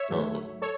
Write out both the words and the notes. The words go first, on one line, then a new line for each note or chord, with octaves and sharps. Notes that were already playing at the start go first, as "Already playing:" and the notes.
Uh huh.
Already playing: C#5 E5
G#2 F#3 A3
A4 C#5